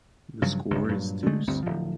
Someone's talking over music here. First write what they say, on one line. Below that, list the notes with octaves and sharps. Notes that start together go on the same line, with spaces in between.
The score is deuce.
G2 C#3 F3 F#3
G1 C#2
G2 A#2 F#3
D3 G#3 A3
G1 D2 G3 C4
D1 F3